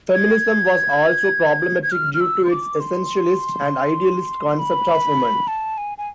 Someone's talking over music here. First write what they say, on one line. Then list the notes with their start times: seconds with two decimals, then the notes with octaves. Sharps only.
Feminism was also problematic due to its essentialist and idealist concept of woman.
0.14 G#6
1.83 G#6
1.91 F6
2.14 F6
2.21 E6
2.45 C6
2.51 D6
2.80 C6
4.59 B5
5.48 A5
5.78 G#5
5.98 G#5